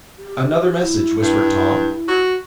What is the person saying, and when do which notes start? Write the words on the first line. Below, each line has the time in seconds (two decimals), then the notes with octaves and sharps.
"Another message," whispered Tom.
0.19 G4
0.81 E4
1.21 G2
2.08 F#4